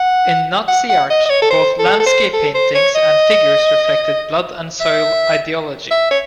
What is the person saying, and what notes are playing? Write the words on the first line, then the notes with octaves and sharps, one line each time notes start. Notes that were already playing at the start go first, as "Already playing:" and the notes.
In Nazi art, both landscape paintings and figures reflected "blood-and-soil" ideology.
Already playing: F#5
F#5
F#5
D#5
D#5
C#5
A4
C5
A4
A4
C5
A4
C5
C#5
D#5
E5
E5
C#5